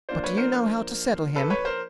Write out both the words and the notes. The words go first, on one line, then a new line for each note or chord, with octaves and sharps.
'But do you know how to settle him?
F3 A#3 D4 F4 C5 D5
B4 C#5
A#4 C5
A4 B4
B4 C#5
A#4 C5